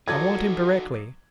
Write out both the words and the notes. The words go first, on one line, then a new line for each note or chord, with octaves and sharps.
I want him directly.
F3 F#3 D#4 F#4 A4 D5 G#6